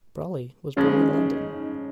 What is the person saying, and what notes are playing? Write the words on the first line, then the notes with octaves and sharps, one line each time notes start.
Brolly was born in London.
C#3 F3 G#3 C#4
D#4
C#4
D#4
C#4
D#4